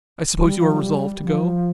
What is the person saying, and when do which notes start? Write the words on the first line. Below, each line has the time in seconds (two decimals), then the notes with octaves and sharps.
I suppose you are resolved to go?
0.44 G3
0.58 F3
0.71 G3
1.23 F3